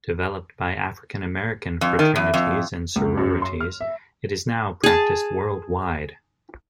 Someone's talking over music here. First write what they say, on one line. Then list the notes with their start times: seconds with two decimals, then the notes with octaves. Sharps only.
Developed by African-American fraternities and sororities, it is now practiced worldwide.
1.81 F2
1.99 D#3
2.16 E2
2.34 F2
2.96 C#2
3.17 F#2
3.42 C6
3.60 F6
3.81 E5
4.84 G#4 A5